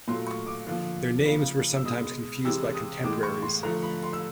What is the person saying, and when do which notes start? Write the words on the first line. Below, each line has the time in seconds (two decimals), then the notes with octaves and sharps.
Their names were sometimes confused by contemporaries.
0.08 A#2 F#3 A3 C6
0.27 C#6
0.46 D6
0.67 D3 F3 A#3
1.25 C#3 F3 A#3
1.77 E6
1.85 B2 G#3 D#6
2.45 C3 E3 G#3 E6
2.74 D#6
3.03 A2 E3 G#3 D6
3.23 C#6
3.43 C6
3.63 D3 F3 A3 A#5
3.83 B5
4.03 C6
4.13 E6